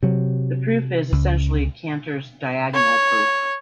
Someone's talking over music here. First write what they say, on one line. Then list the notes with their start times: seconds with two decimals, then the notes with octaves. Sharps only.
The proof is essentially Cantor's 'diagonal' proof.
0.03 C3 F#3
1.12 C#2
2.74 C#5